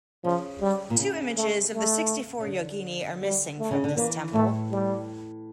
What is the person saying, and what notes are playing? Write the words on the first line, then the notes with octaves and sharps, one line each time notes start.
Two images of the Sixty-four Yogini are missing from this temple.
C#3 F3
G3
A#2
C#3
A3
A3
C#3
D3
G3
A3
C#3
D3
E3 A#3
A2 A3
G3